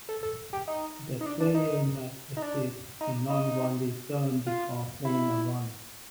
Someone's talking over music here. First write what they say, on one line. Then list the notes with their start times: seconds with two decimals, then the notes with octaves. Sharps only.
The player must exit the non-volley zone before playing a volley.
0.09 A4
0.23 A4
0.53 G4
0.68 D#4
1.21 D#4
1.26 D4
1.40 D4
1.55 D#4
2.37 D#4
2.42 D4
3.01 D#4
3.30 D#4
4.47 F4
5.05 E4